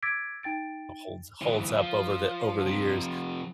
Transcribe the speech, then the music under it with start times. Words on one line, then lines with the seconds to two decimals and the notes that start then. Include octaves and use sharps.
holds holds up over the over the years.
0.02 D6 E6 G#6 A6 B6 D7
0.43 D#4 G5 A6 D7
1.41 D2 E3
1.77 F3
2.66 C3 F3